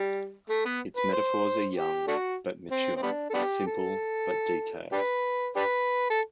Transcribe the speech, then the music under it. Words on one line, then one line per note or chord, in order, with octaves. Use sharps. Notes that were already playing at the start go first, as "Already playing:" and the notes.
Its metaphors are young, but mature, simple, but detailed.
Already playing: G3
A3
B3
B4
C5
G4
A3 D4 F#4
C4
C4
G3 B3 D4
A4
B3 D4 G4
A4
D4 G4 B4
D4 G4 B4
A4